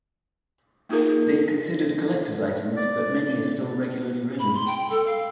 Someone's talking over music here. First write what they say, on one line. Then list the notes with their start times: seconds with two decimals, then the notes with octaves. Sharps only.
They are considered collector's items, but many are still regularly ridden.
0.89 A#3 D#4 F4 G#4 A#4
2.76 D5
4.39 B5
4.54 C6
4.66 G5
4.90 A4
5.07 F5